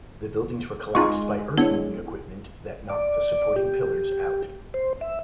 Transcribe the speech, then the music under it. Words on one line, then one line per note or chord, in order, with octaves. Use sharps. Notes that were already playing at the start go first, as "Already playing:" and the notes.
The buildings were collapsed by earthmoving equipment that knocked the supporting pillars out.
G#3 D#4 F4 C#6
B3 D4 E4 G#4 C#5
D5
G4
C5
E5